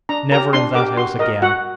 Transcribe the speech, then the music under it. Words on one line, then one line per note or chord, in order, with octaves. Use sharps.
Never in that house again!
D4 A#5
G4 A#4 A#5
D4 C6
G4 A#4 D6
F#4 C6
A#4 D#5
F#4 F#5